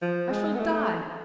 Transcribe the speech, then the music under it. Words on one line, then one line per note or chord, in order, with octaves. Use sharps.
I shall die!
F3
G#3
B3
A3